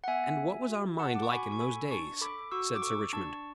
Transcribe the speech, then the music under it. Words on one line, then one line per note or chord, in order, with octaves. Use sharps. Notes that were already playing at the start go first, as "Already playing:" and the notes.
"And what was our Mind like in those days?" said Sir Richmond.
F#5
B3 E5 G#5
D4
F#4
A4 F#5 A5
D6
C#6
F#4 G#5 B5
C#6
A4 G#5 B5
D4 A5 C#6
A4 B5 D6
F#4 C#6 E6
D6
A4 C#6 E6
D4 A5 C#6